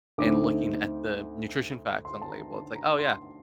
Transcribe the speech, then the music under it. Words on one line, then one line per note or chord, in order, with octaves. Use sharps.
and looking at the nutrition facts on the label, it's like, "Oh, yeah,
D2 D3 A3 C4 D#4 D6
C6
A5
A#5
A5
A#5
C6